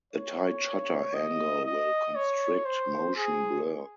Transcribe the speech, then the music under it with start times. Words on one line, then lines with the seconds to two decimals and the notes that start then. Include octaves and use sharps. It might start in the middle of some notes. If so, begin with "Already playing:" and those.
A tight shutter angle will constrict motion blur.
0.13 C#5
1.14 D#5
1.65 D#5
2.15 C#5
2.65 C5
3.16 G#4